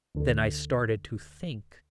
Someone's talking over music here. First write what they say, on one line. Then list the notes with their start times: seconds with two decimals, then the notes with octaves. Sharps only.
Then I started to think.
0.15 D2 D3